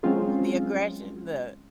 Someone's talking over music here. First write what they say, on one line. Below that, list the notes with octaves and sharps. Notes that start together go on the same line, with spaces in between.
The aggression the
F#3 G#3 C4 C#4 F4 G#4